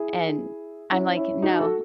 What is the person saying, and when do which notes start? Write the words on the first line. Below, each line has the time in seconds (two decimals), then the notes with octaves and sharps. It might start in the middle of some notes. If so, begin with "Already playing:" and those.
And, I'm like, "No.
Already playing: E4 G#4
0.91 C#4 E4
1.17 C#4 E4
1.42 D#4 F#4
1.59 F#4 A4